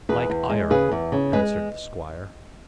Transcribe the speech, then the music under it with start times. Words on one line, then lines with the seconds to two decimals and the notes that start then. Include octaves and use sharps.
"Like iron," answered the squire.
0.09 E2 G#4 B4
0.30 E2
0.50 G#3
0.70 C#3 G#4 B4
0.91 E2
1.12 C#3
1.33 G#3 G#4 B4